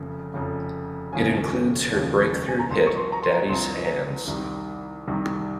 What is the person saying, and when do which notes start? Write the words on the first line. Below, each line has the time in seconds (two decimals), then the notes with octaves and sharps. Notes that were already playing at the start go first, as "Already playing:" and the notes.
It includes her breakthrough hit, "Daddy's Hands".
Already playing: F1 F2 C#3
0.34 F1 F2 C#3
1.12 F1 D#2 C#3 F3 G#5
1.92 F1 D#2 C#3 F3
2.49 G#5
2.59 A#5
2.70 C2 C3 F3 C6
2.87 C#6
2.96 C6
3.12 A#5
3.23 C6
3.49 C2 C3 F3 C6
4.28 C2 C3 D#3 G3
5.07 C2 C3 D#3 G3